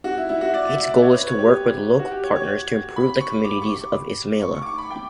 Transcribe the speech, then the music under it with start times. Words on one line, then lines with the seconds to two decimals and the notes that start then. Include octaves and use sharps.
Its goal is to work with local partners to improve the communities in Ismailia.
0.04 F#4
0.18 E4
0.29 E4
0.41 F#4
0.54 D5
0.66 E5
0.78 E5
0.90 D5
1.02 C#5
1.15 B4
1.27 C#5
1.39 G4
1.99 F#4
2.11 G4
2.24 C#5
2.36 C#5
2.96 B5
3.21 C#6
3.44 D6
3.62 C#6
4.42 C#6
4.55 C#6
4.62 D6
4.66 C#6
4.78 B5
4.90 G5